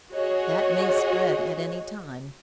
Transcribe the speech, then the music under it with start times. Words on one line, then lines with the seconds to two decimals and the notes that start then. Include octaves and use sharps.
That may spread at any time.
0.13 F#4 G#4 C#5 D#5